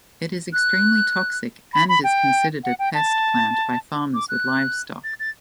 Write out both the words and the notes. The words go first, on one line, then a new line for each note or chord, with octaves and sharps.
It is extremely toxic, and is considered a pest plant by farmers with livestock.
F#6
B5
B5
G5
F#5
G5
A5
D6
F#6
A6
A6